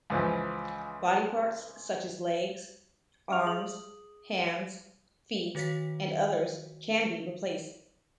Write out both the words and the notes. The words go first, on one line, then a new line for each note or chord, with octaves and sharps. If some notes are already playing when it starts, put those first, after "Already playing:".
Body parts such as legs, arms, hands, feet, and others can be replaced.
C#2 E3 F3
E5 D6 F6 F7
G#4 D#6 F#7
D#3 F#4 C#5 F5 B6